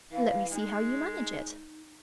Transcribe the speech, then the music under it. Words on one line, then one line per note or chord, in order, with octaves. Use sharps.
'Let me see how you manage it.'
E3 F5
G#3 D#4